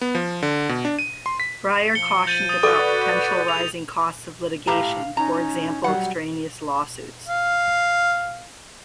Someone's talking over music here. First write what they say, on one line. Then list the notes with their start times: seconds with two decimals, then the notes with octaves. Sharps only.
Breyer cautioned about potential rising costs of litigation, for example, extraneous lawsuits.
0.01 B3
0.15 F3
0.43 D3
0.69 B2
0.85 D4
0.99 D#7
1.26 C6
1.40 B6
1.95 F3 C#7 G7
2.27 G6 A6 D#7
2.49 D#6 A6
2.63 F#4 A4 B4 D5 D6 A6
3.48 E4 G#4 F7
4.67 A2 G4 F5 A#5
5.17 C#4 D#4 A#5
5.84 F#3 G3 F#5
7.27 F5